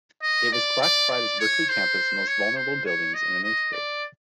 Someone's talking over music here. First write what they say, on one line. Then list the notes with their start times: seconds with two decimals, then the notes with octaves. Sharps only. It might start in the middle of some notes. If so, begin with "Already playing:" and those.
It was classified as Berkeley campus' most vulnerable buildings in an earthquake.
0.23 D#5
0.53 D5
0.82 D5
1.10 D5
1.40 C#5
1.69 C5
2.27 C#5
2.57 C5
2.86 C#5
3.14 D#5
3.44 D#5
3.73 D5